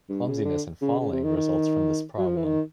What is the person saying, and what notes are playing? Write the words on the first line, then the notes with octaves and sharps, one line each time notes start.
Clumsiness and falling results from this problem.
G2
C#3
D3
C#3
C#3
C3
D#3
D#3
F#3
F3
E3
D#3